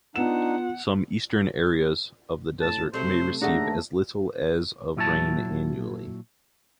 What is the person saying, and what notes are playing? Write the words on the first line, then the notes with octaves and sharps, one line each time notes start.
Some eastern areas of the desert may receive as little as of rain annually.
B3 D4 D#4 F4 F#5 E7
A2 A5
C3 F#3 A3 C5
D#2 A3 D4 F#4 G#4 F#5 A#5
A#2 F#3 E4 F#4 A5